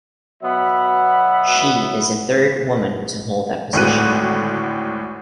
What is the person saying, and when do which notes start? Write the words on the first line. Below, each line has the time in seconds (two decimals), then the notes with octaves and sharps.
She is the third woman to hold that position.
0.43 B2 F#3 B3 E5 F#5 B5
3.73 G#1 D2 A2 F#4 F#6 D#7